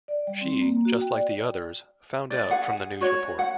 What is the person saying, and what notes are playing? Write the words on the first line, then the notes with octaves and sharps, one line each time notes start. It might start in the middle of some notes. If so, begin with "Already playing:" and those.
She, just like the others, found out from the news report.
D5
G3
C4
A#3
F#4
G5
D5
D5
G#4 F#5
F#4 C#5
F#5